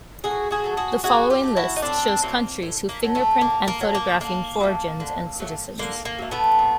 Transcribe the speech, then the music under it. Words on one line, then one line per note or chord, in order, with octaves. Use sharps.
The following list shows countries who fingerprint and photographing foregins and citizens.
A2 F#4 G#4
F#4 G#4
F#3 A3
F#4 G#4
A2 F#4 G#4
F4 G4
F#3 A3
E4 F#4
D#4
A2 C4 D4
F#3 A3 A#3 C4
A2
A#3
F#3 A3
A3
D3 A#3
A#3
F#3 A3
A#3
D3 A#3
F#3 A3
D3
F#3 A3
D3 A#3
A#3
F#3 A3
A3 B3
A#2